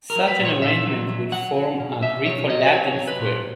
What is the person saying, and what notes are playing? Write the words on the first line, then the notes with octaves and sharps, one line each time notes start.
Such an arrangement would form a Graeco-Latin square.
A#4
F#3
B4
A#2
C#5
A#2 E5
F#3
F#3
F#3 F#5
F#3
B2
B2 E5
F#3 C#5
F#3 D#5
B4
F#3 C#5
F#3
B4
A#2